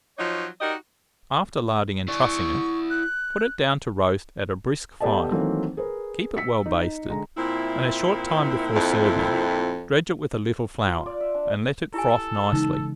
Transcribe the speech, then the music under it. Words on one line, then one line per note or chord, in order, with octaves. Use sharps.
After larding and trussing it, put it down to roast at a brisk fire; keep it well basted, and a short time before serving, dredge it with a little flour, and let it froth nicely.
F3 F#3 D#4 C#5
D#4 F#4 G4 A#4 D5 D#5
E4 D5 C#6
F#6
B3 G4 A4 D5 D#5 A5
D#3 E3 F#3 A3 A#3 C4
G#4 A#4 B4
E6 B6 C#7
D#4
D3 G#3 A#5
A#2 C4 E4
F2
F4
D5
E5
D4
E4 G4 A4 G#5
C#3 E3 G#3 D#4